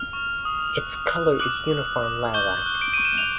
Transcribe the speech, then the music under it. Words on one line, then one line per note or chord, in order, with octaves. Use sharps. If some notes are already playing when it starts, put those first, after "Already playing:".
Its colour is uniform lilac.
Already playing: F6 F7
C#6
D#6
F#6
F#6
D6 F#6 F#7
D6
D6
C#6 G6 G7
F#6
D7
C#6 D#7
E7
F7